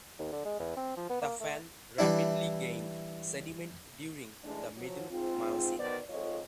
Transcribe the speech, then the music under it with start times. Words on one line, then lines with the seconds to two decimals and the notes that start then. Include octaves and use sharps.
The fan rapidly gained sediment during the middle Miocene.
0.19 D#2
0.33 D3
0.45 G#3
0.59 E2
0.76 C4
0.97 F3
1.09 B3
1.21 A#3
1.40 A3
1.99 E3 G3 D4 E4
4.44 E3 G#3 A3 D4
4.77 F3 F#3
5.11 G#2 C4 F4
5.79 B2 D#3 B3 B4 C5 D5
6.09 F2 G#2 F4 A4 C#5 D#5